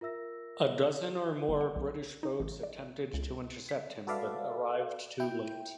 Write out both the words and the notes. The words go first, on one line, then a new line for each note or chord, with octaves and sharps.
A dozen or more British boats attempted to intercept him but arrived too late.
F4 A#4 E5 E6 A#6
G1
F#5
B1
D#4
A1
D5
C#2
B6
F#4 A4 B4 D5 E5 F5
E4 G5